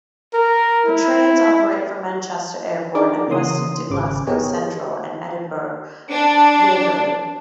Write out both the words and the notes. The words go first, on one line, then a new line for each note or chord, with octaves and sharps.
The trains operate from Manchester Airport and Preston to Glasgow Central and Edinburgh Waverley.
A#4
E4
D4 D#4 G#4 A#4 D5 D6
C#3 E3 A#3 C#4 C6 D#6
G#1 C#3 D6
B3 G4 G#4 A#4 C#5 D#5
D4